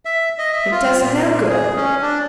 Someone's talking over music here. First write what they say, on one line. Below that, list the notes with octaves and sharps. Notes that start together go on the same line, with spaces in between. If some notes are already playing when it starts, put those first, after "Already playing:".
It does no good.
E5
D#5
E5
F4
A#2
G#4
C#4
D4